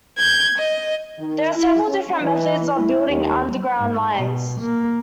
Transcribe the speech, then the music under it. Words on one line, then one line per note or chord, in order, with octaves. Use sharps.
There are several different methods of building underground lines.
G6 G#6
D#5
D#3
E4
C#4
E3
E4
D#2
G#2
B2
A#3